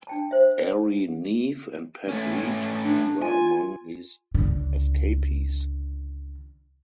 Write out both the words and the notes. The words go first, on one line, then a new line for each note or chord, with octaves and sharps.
Airey Neave and Pat Reid were among these escapees.
D4 G5 A5
C5 E5
A3 C#4
D4
F4 G#5
C#2 D3